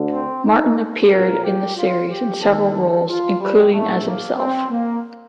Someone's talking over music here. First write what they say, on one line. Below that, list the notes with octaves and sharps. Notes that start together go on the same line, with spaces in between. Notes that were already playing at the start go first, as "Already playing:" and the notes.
Martin appeared in the series in several roles, including as himself.
Already playing: D2 D3
C4
D#4
A#1 A#2 A#4
G4
F4
G4
D#2 D#3 A4
A4
F4
G3
A#1 A2 A3
A#3
C4
A#3